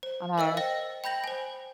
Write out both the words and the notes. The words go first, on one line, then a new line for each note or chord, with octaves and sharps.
I know.
C5
A#4 D#5 F5 E6
C5 D#5 G5 A#6
G5 B5 G6 A#6 F#7
C5 G#5